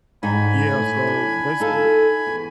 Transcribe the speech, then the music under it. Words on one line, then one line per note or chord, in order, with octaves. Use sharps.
Yeah, so basically
G#2 G3 D#4 G#5 B5
A2
D4
D#4 F4 A4
E2